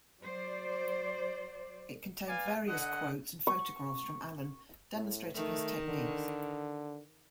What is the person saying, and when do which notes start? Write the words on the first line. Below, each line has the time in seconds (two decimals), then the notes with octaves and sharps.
It contained various quotes and photographs from Allen demonstrating his techniques.
0.20 F#3 C5 D5
2.27 B4 D5 F5 G#5
2.68 D3 D#5 F#5
3.47 C#6
4.94 A2
5.35 D#3 A3
5.87 D3